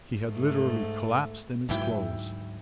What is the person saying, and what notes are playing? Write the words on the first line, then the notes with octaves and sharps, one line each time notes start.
He had literally collapsed in his clothes.
G#2 A3
D2 G#2 E3 F#3 E4 G5